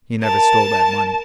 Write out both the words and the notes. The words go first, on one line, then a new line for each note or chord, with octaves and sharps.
He never stole that money.
A#4 A5